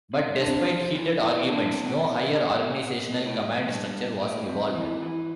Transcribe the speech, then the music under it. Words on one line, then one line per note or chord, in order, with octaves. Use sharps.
But despite heated arguments, no higher organisational command structure was evolved.
C3
D3
F3
E3
D3
C3
B2
A2
A2
G2
F2
G2
A2
C3
E3
E3